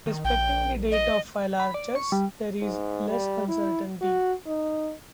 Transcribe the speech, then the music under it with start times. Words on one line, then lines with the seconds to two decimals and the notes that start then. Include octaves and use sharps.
Respecting the date of Phylarchus there is less uncertainty.
0.06 D#3
0.25 A#1 G5
0.92 D#5
1.60 B5
1.74 D5
1.96 C#6
2.12 G3
2.62 G#2
3.09 G3
3.48 E4
4.01 F#4
4.46 D#4